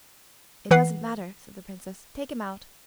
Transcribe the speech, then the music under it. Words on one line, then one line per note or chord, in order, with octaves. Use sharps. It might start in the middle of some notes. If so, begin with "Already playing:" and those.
'It doesn't matter!' said the Princess. 'Take him out!'
E3 B4 F#5 C7